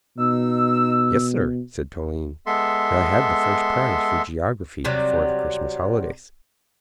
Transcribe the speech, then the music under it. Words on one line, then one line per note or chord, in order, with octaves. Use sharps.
"Yes, sir," said Toline; "and I had the first prize for geography before the Christmas holidays."
B2 D#4 E6
G#3 B3 A4 E5 C6
C3 F#3 G3